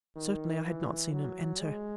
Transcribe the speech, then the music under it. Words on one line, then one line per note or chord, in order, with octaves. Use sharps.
Certainly, I had not seen him enter.
D#3
E3
F#3
G#3